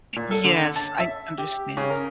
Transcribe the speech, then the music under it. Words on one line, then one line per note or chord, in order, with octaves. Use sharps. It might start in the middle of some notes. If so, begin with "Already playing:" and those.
Yes, I understand.
A#2
A4
D3
A5
E5
G4
C#3
A#4